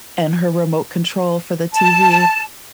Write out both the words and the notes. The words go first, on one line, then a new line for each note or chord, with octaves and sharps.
and her remote control for the TV.
A5